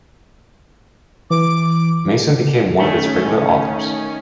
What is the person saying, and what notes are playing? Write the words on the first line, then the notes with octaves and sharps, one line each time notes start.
Mason became one of its regular authors.
E3 D6
D#3 A3 C#4